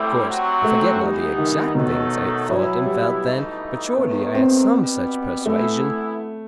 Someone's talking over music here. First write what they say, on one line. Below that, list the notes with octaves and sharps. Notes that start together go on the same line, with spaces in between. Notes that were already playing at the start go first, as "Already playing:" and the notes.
Of course I forget now the exact things I thought and felt then, but surely I had some such persuasion.
Already playing: A2 G3 A3 C4 E4 G4
C3 F#3 C4 F#4
A3
E3 G3 B3 D#4
D#3
B2 D#3 F#3 A3 D#4 A4
E3 F#3 B3 E4
G3
G2 E3 A3 D#4
F#2 D#3 A3 B3
C4
B2 G3 B3
E3 A3 B3 E4